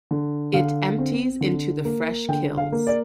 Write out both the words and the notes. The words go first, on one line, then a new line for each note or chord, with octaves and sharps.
It empties into the Fresh Kills.
D3
D3 F5
C4
D3
A#3
D3 G5
F5
A#3
D5